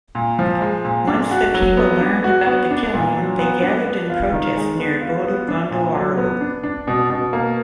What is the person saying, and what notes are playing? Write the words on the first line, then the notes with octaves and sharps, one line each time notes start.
Once the people learned about the killing, they gathered in protest near Bodu Ganduvaru.
A#2
F3
G#3
A#2
D4
F#4
F#3
B3
D4
F#4
B3
D4
A#2
F#3
B3
D4
B3
F4
D#3
G#3
B3
F4
B3
D4
A#2
F#3
B3
D4
D4
B2
B2
A#3